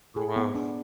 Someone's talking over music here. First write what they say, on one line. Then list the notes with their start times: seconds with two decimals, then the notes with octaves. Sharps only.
Oh, wow.
0.16 G#4
0.36 B3
0.55 D4